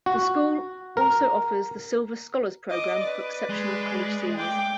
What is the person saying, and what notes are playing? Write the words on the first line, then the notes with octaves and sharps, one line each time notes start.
The School also offers the Silver Scholars Program for exceptional college seniors.
F#4
A#4
D#5 D6
B4 D5
G#3
G5 D6